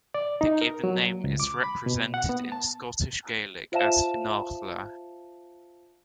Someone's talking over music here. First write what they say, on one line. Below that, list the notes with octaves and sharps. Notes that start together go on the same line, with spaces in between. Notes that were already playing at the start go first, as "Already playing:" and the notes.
The given name is represented in Scottish Gaelic as Fionnlagh.
D5
D#4
A#4
F#3
C#2
D6
B5
B2
F#5
B3
A5
F4 C5 E5 F5 A5 E7